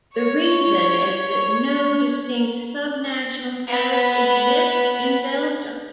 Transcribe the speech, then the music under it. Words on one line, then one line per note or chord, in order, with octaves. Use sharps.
The reason is that no distinct sub-national status exists in Belgium.
C#5 C#6
B3 B4